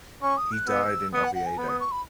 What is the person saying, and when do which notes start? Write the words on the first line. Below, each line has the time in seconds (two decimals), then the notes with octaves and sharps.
He died in Oviedo.
0.22 C#4 C#6
0.37 D#6
0.52 F#6
0.68 B3 E6
1.13 B3 D#6
1.24 F#5
1.35 F#5
1.46 G#5
1.58 B3 B5
1.69 D#6
1.80 C#6
1.92 B5